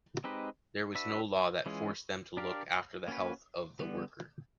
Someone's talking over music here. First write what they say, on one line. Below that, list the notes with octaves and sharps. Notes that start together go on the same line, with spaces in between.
There was no law that forced them to look after the health of the worker.
G#3 C4 D#4 G4 B4
D4 F#4 B4 E5
E3 G#3 C#4 F4 G#4
D4 G4 A#4 D5 F5
A#3 C#4 F#4 B4
D3 G3 B3